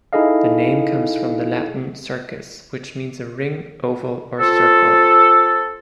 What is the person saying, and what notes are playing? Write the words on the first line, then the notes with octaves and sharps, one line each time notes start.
The name comes from the Latin 'circus', which means a ring, oval or circle.
D#4 E4 G#4 A4 D#5 F5
C4 F4 A4